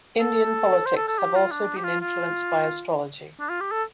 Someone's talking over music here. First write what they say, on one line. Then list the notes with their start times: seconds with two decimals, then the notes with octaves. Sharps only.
Indian politics have also been influenced by astrology.
0.19 A4
0.86 C5
0.96 A4
1.08 A4
1.19 G4
1.35 F4
1.51 D4
1.77 G4
1.84 F4
2.01 F4
3.40 D4
3.49 F4
3.61 G4
3.71 A4